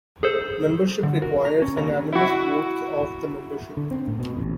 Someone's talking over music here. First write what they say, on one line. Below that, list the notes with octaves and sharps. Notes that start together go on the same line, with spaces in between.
Membership requires unanimous votes of the membership.
G#4 A4 C5
D3
F#4 A#4
A#5
C#4
D#2 C#3 A#5
E4 F#4
D3
C4
A2
B2
A1